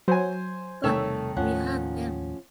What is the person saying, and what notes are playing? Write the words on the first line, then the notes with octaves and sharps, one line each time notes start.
But we have them!
F#3 C5 G#5
E1 C3 D#3 G3 A3 C#5 E6
D#2 A2 F3 C#4 F#5